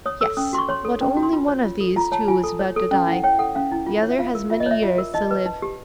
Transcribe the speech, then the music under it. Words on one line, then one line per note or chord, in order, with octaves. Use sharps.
"Yes; but only one of these two is about to die; the other has many years to live."
C#5 D#6
A4 E6
C#4 D#6
F#4 C6
C#6
C#5 C6
A4
C#4
F#4
C6
F4 B5
C#5
F4
A4
F4 A#5
C#5 A5
F4 G#5
A4
C#5
A4
C#4
E4 F#5
C#5 G5
A4 F#5
C#4 F5
E4
F4
C#5
E5
F4 F5
A#4
F4 E5
D#5
C#5 E5
F4
A#4
D#4 D#5
B4
D#4
G4